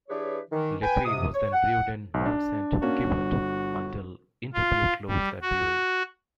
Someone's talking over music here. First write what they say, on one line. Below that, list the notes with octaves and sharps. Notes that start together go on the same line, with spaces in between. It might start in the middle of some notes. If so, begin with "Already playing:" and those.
Leffe was then brewed in Mont-Saint-Guibert until Interbrew closed that brewery.
E3 D4 G4 G#4 B4 C#5
D#3 E3
B4 G5 G#5
G#2 C3 D#6
C#5
F#5
B1
D4
A#3 C#4 F#4
G1
F4
G3
F#4